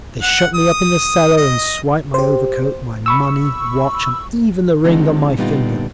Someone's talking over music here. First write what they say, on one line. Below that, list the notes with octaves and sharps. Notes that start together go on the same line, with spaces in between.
They shut me up in the cellar and swiped my overcoat, my money, watch and even the ring on my finger.
F#5
D#6
D#5
G4 C5
B5 C#6 E6
D3 F3 F#3 G#3 C4 D#4
A#2 D3 G3 B3 D#4 F4